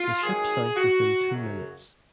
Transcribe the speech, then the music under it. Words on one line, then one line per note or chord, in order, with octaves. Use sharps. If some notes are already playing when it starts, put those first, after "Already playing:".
The ship sank within two minutes.
Already playing: F4
G#2 D#3 F#3 G#4
F#4
F#2 C#3 F#3